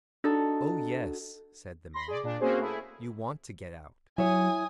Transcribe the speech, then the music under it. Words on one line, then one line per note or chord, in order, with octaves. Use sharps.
"Oh yes," said the man, "you want to get out."
D4 D#4 F#4 A4
B5 C6 A#6
G#4 D5
A#2 D4
A#3 C4 C#4 F#4 G#4 C5
A3 E4 G#4
F#3 E4 C#5 G#5 D#6